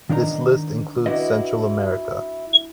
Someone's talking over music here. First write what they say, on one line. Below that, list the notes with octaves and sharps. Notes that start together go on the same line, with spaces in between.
This list includes Central America.
D#3 D4 D#4 C#5 A#5
D4 E4 F#4 B4 D#5